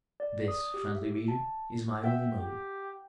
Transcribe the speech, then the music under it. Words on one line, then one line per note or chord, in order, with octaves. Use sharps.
This, friendly reader, is my only motive.
D5
D#6
G4
E5
A5
E5 G5
G4